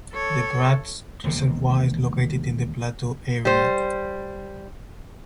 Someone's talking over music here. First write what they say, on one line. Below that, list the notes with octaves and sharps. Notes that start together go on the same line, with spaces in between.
The Bratsk Reservoir is located in the plateau area.
A4 C#5
E1 D#2 C3
G3 C5